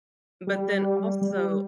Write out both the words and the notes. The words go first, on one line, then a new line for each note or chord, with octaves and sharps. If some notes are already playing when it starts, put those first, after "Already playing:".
But then also
G3
G3